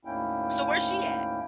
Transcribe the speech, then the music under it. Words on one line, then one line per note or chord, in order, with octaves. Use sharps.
So, where's she at?
D2 G#2 A#3 C#4 E4 G5